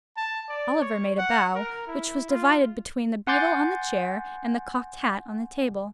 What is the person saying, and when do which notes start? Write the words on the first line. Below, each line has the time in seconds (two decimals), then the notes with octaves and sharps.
Oliver made a bow, which was divided between the beadle on the chair, and the cocked hat on the table.
0.17 A5
0.49 D5
0.81 C#5
1.18 F#5
1.55 A#4
1.87 E4
2.30 F4
3.27 F#5 G#5 C6 D6 G6 A6